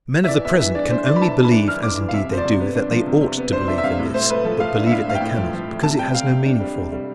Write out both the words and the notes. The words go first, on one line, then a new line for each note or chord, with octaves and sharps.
Men of the present can only believe, as indeed they do, that they ought to believe in this; but believe it they cannot, because it has no meaning for them.
E5
E3 D5
B3 E5
E3 E5
D4 D5
D4 C5
E3 D5
B5
E3 A5
E3
B5
D4
D4 F6
E3 D6
E3
F5
C3 E5
F3 C5
D5
C3
B3
D4
F3
C3
C3
B3
D4 C5
D4 E5
E5
C3 F5
A2
A3 C5
A3 B4
F3 A4
A3 F5
D4 F5
E5
A2 F5
A3 F5
G5
A2
F3
F3
A3
C3 A5
G3 G5
C3 F5
C3
D4
G3
C3
G3